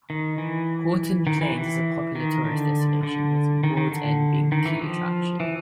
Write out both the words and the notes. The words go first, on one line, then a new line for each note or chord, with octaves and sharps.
Horton Plains is a popular tourist destination, with World's End being the key attraction.
D#3
E3
D#3
E3
E3
D#3
D3
D3
D#3
D#3
D3
D#3
E3
F3
E3